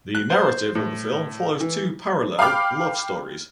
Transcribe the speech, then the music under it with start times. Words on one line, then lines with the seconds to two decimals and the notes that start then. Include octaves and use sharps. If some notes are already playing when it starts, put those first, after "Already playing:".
The narrative of the film follows two parallel love stories.
0.15 F#6
0.30 C5
0.75 A2
1.60 E3
2.39 F5 G5 B5 D6 F6